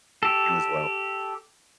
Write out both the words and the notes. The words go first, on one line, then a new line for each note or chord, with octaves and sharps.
You as well.
G4 A4